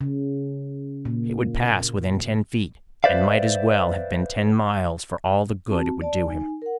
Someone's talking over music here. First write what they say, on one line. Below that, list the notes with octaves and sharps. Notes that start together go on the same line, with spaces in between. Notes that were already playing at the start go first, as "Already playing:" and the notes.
It would pass within ten feet--and might as well have been ten miles for all the good it would do him.
C#3
A#2
B4 C5 D5 E5 F5
C4 F#4 A5
D5 A5
D#4 G#5
A#4 F#5